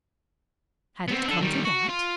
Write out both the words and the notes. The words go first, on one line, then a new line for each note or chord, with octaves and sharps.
Had it come to that?
B3 C4
D4 A4
D#3 G3
F#4
F4